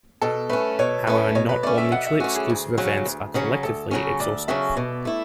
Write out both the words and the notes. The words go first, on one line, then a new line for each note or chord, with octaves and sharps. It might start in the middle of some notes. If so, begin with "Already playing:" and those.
However, not all mutually exclusive events are collectively exhaustive.
B2 A4
A3 C#4 B4
B2 C#5
A3 C#4 B4
B2 C#5
B4
A3 C#4 D5
E5
B2 F#5
E5
A3 C#4 F#4
G#4
D2
C#3 F#3 C#4
D2
C#3 F#3 C#4
D2 A4
C#3 F#3 C#4
D2 D5
C#3 F#3 C#4 E5
B2
A3 E4